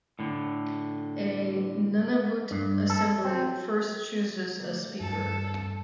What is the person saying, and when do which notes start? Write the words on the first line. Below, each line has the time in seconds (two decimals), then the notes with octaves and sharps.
A Nunavut Assembly first chooses a Speaker.
0.19 A2 D3
2.51 G2
2.90 A4
3.25 C4
4.60 D3 A3
5.00 G2 A4